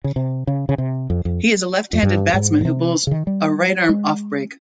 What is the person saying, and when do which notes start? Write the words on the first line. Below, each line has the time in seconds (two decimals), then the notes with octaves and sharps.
He is a left-handed batsman who bowls a right-arm off break.
0.04 C#3
0.16 C3
0.47 C#3
0.69 C#3
0.78 C3
1.10 F2
1.25 F2
1.93 F2
2.03 G2
2.34 G#2
2.61 A#2
2.65 C3
3.07 C#3
3.11 D#3
3.27 G3
3.89 G#3